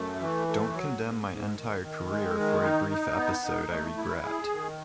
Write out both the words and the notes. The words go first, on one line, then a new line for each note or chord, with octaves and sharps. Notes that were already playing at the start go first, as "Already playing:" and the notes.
Don't condemn my entire career for a brief episode I regret.
Already playing: F#2 A3
E3
A3
F#3
G#2
G#2
D#3
D#3
G#3
D#3
D#4
D#4
B3
D#4
A3
E4
G#4
D#3